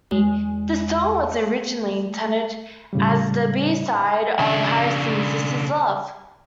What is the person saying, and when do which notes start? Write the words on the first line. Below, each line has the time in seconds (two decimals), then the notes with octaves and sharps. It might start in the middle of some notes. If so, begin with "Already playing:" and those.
The song was originally intended as the B-side of Harrison's "This Is Love".
0.11 E2 G#3
1.32 A3
2.93 A2 C#3 G3
4.39 C#3 D4